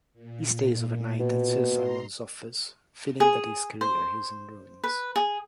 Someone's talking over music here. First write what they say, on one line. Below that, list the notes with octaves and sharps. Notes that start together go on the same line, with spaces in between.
He stays overnight at Sir Simon's office, feeling that his career is in ruins.
A#2
B2
A#5 C6
G#4
C5
B4
G#4